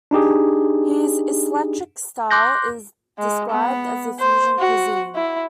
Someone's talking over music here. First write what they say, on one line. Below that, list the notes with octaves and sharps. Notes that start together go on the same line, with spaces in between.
His eclectic style is described as fusion cuisine.
D4 D#4 G4 G#4
C6 D6 F#6 G6 A#6
G#3
B3
C5
F#4
E4